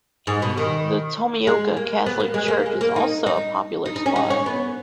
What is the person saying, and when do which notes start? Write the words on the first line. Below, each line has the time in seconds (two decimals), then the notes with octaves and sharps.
The Tomioka Catholic church is also a popular spot.
0.27 G#2
0.42 B2
0.57 D#3
1.47 G#3
1.77 A#3
2.06 B3
2.20 A#3
2.34 G#3
2.48 A#3
2.66 G#3
2.81 A#3
2.96 D#4
3.26 D#4
3.85 D#4
3.96 D#4
4.06 C#4
4.16 D#4
4.30 C#4
4.46 B3